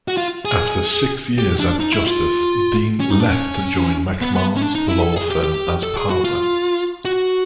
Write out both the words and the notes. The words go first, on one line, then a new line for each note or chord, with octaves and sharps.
After six years at Justice, Dean left to join McMahon's law firm as partner.
F#4
F4
G#4
G4
D4
D#4
E4
F4
C#4
D#4
D4
C#4
B3
B3
C#4
D4
D#4
E4
A4
G#4
G4
G4
A4
G#4
F#4
F4
F#4